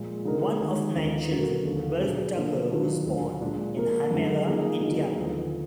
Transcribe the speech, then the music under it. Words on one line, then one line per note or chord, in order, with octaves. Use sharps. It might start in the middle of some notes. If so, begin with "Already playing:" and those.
One of nine children, Ralph Tucker was born in Hymera, Indiana.
Already playing: A#2 F3 G#3
D3 G#3 D#4 A#4
D#3 G#3 D#4 G#4
D#2 D3 F3 B3 D#4
D3 F#3 D4 F#4 A#4
D#2 D3 F3 B3
B2 F#3 D4 G#4
D3 F3 A#3 D4
D#3 F#3 D4 F4
D2 D3 F#3
A#2 G#3 D4
F3 A#3 F4 A#4
F#2 D3 G#3
F3 A#3 D#4 G#4
D3 F#3 A#3 D#4 G#4
D#2 D3 F3 B3